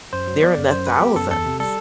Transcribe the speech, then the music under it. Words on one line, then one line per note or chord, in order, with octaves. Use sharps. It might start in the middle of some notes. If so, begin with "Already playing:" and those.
they're in the thousands,
F#2 C5
F#3
B3 D5
F#2
F#2 C5
F#3 B4
B3 G4
F#2 A4
E2 A4
C3
G3 A4